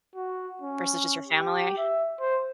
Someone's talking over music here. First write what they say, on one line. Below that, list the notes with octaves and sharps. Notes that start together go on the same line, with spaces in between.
versus just your family?
F#4
C#4
G4
E5
C5